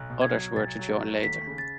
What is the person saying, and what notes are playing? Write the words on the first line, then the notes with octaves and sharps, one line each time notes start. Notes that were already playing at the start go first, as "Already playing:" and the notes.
Others were to join later.
Already playing: B1 F#6
B2
G#6
F#3
B1 A6
F#3
A3
D#2 B6
C#3
A6